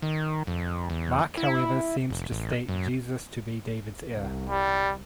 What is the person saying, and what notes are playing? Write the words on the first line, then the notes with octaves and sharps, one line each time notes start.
Mark however seems to state Jesus to be David's heir.
D#3
F2
E2
E4
F1
A1
F#2
C2
G3